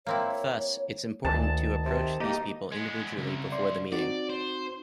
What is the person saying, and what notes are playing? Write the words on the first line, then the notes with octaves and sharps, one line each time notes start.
Thus, it's important to approach these people individually before the meeting.
A#3 C4 E4 C#5
D2 D#3 A5
C3
A#3 D#4 G4 D#5
G#3 B3
C2 C#3
D5 C6
C4 D#4 F#4 D5
C5